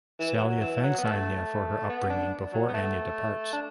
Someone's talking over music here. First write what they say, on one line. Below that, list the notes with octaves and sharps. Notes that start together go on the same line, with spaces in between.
Salia thanks Anya for her upbringing before Anya departs.
E3
F#3
E3
F#3
B3
A3
B3
D4
F#3
B3
A3
D4